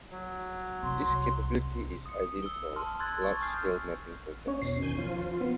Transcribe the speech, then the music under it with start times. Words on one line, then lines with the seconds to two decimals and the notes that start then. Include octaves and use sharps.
This capability is ideal for large-scale mapping projects.
0.11 F#3
0.83 C2 C6
2.06 D#6 C#7
2.42 E6 G7
2.76 A5 C6 F6
3.00 C6 E6 F#6 G#6 A6
3.24 C#6
3.41 G#5 D#6 F6 G6 C7
4.47 C#4 C#5
4.62 E2 B2 C7
4.82 D#3 G#5 G6
4.98 F3 F4
5.41 B3